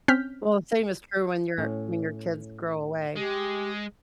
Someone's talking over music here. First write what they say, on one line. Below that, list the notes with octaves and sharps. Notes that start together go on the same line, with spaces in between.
Well, same is true when your when your kids grow away.
C4 C#4 F6 G6 B6
A2 C#4
G#3 G4